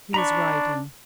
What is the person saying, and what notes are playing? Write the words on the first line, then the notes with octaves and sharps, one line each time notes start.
She was writing.
D4 A#5 B5 C#6